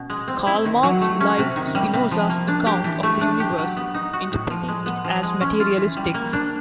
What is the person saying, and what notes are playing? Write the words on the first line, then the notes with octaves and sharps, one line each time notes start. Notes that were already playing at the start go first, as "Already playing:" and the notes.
Karl Marx liked Spinoza's account of the universe, interpreting it as materialistic.
Already playing: B2 C#4
G#3
C4
E4
D#3
F#3
A3
C#4
C3
D#3
G3
C3
F3
A#3
D4
G4
E3
A3
D4
G4
F#3
B3
D#4
F#4
A2
F3
G#3
B3
F3
G#3
C#4
F4
E3
G3
A#3
D4